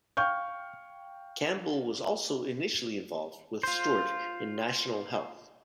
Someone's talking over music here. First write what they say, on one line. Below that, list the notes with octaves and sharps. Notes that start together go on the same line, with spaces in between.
Campbell was also initially involved with Stewart in National Health.
F5 G5 C#6 F6 G6
F4 C5